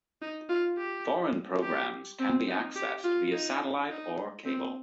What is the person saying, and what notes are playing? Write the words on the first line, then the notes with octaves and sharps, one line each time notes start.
Foreign programs can be accessed via satellite or cable.
D#4
F4
G4
G4
C4
D#4
G4
F4
D#4
D#4
C4